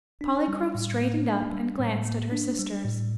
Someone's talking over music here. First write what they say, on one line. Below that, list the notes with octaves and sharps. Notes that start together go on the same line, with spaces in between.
Polychrome straightened up and glanced at her sisters.
D4
G3
A2
A#3
D4
G3
A2
A#3
D4
G3
A2